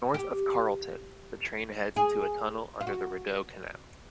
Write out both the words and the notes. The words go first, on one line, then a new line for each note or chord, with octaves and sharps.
North of Carleton, the train heads into a tunnel under the Rideau Canal.
G4
G#4
F4
F#4